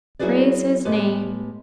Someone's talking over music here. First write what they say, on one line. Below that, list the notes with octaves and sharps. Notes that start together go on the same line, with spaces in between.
Praise his name!
F#3 E4 F#4 G#4 B4 D5
A2 G#3 B3 G4 B4